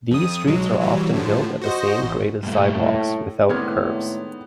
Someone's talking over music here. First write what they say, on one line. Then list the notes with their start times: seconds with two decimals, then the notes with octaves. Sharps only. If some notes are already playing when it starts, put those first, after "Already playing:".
These streets are often built at the same grade as sidewalks, without curbs.
0.11 F2 D#6
0.47 B1 F#3 G#3
0.81 E3 F#3 G3
1.14 A2 D3 F3
1.62 F#4 C5 D#5
2.02 A1
2.43 G2 A#2 A3
2.77 A2
3.49 A2 D#3 G#3 B3 C4 D5 F6 G#6